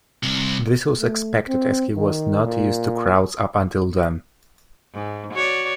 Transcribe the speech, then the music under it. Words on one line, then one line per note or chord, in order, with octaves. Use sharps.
This was expected, as he was not used to crowds up until then.
C2
A3
C4
D#3
A#2
G#2
F#4 C#5 D5